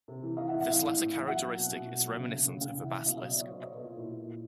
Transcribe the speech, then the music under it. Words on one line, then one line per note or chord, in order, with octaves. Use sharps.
This latter characteristic is reminiscent of the basilisk.
C3
E3
E3 D#5 F5
E5 F#5
A2
E5 F#5
E3 D#5 F5
A2
A2
E3
F#3 E5 F#5
F#3
B2
B2
B2
F#3
C#3
C#3
C#3
C#3 F5 G5
E3
E5 F#5
C#3
B2 D#5 F5
F#3 D#5 F5
D5 E5
F#3 C#5 D#5
B2 C5 D5
B2 C#5 D#5
A4 B4
B2 F4
A#2 E4 F#4
A#2
A#2